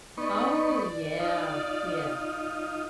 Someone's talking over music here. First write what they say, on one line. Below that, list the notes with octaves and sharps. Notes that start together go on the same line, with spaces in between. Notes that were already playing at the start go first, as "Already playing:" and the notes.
Oh, yeah. Yeah.
B3 D#4 D5 C#6
D#4 F4